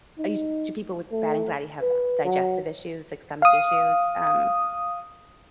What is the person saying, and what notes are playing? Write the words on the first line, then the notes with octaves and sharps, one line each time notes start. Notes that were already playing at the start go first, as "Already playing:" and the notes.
I used to people with bad anxiety have digestive issues, like stomach issues, um
D#4
A3
B4
F#3
F5 D#6